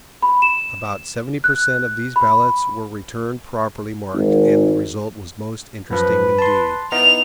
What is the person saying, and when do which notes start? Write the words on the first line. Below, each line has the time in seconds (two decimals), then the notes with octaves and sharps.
About seventy per cent of these ballots were returned properly marked and the result was most interesting indeed.
0.22 B5
0.42 E7
1.44 F#6
2.16 B5
4.13 G#1
5.90 F#2 F3 B4
6.38 A5 C6
6.92 B3 D#4 E4 F7